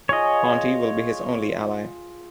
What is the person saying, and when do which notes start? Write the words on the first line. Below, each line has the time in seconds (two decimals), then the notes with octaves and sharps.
Ponti will be his only ally.
0.09 F4 G#4 C#5 D#5